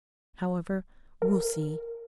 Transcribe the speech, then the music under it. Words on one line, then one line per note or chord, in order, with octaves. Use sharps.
However, we'll see.
A#4